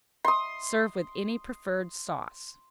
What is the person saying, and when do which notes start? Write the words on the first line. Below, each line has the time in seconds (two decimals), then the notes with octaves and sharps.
Serve with any preferred sauce.
0.25 C6 D#6